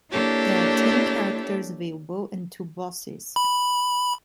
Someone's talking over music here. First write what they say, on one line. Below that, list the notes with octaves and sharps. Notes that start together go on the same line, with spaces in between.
There are ten characters available, and two bosses.
A#3 D4 E4 G4 A4 C#5
B5